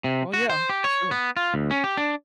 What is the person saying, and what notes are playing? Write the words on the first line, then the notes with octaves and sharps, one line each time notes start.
Well, yeah, sure.
C3
F#4
C5
G4
C#5
B3
F4
D2
C#4
G4
D4